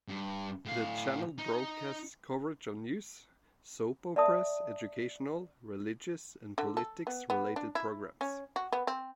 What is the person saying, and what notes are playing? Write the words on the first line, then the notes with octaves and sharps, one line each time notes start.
The channel broadcasts coverage of news, soap operas, educational, religious and politics related programs.
G2
A2 F5
D#4
D5 E5 A5 D#6
D3
A4
B3
B3
D4
E4
C#4
F#4
B3
C4